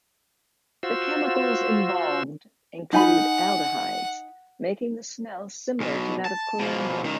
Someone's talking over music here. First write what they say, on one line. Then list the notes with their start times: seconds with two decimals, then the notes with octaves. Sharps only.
The chemicals involved include aldehydes, making the smell similar to that of coriander.
0.83 F4 F#4 C5 E6
2.93 D#4 F#5 G#5 B5
5.80 B1 B2
6.25 A5
6.59 B2 F3
7.03 C#2 D#3